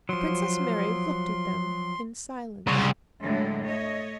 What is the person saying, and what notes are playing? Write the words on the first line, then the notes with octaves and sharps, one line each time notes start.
Princess Mary looked at them in silence.
F3 F#3 C6
C2 C#3 C6
A2 D3 F#3 G#3
A3 C#5 D#5